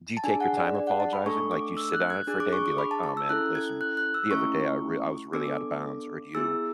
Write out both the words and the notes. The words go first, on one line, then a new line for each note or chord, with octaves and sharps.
Do you take your time apologizing? Like, do you sit on it for a day and be like, "Oh, man, listen, the other day, I real I was really out of bounds," or do you
A5
D4 G#4 G#5
F#5
D5
D5
F#5
A5
B5
A3 D4 A4 C#6
D6
E6
F#6
G#6
D4 G#4 F#6
D6
C#6
D6
B5
A5
A5
E6
C#4 E4 A4 F#6
G#6
F#6
F#6
E6
A3 C#4 E4 C#6
B3 D4 A4 D6
B3 E4 G#4 E6